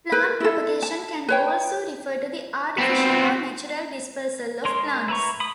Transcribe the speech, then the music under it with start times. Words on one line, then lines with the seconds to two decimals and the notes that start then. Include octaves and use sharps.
Plant propagation can also refer to the artificial or natural dispersal of plants.
0.12 A#4 B4
0.40 E4 A4
0.82 A5
1.28 B4 C#5 G5
2.78 B3 C4
4.65 G#3 A#4 C#5 C6
5.08 E4 B4 A#5 C#6
5.40 B5 D#6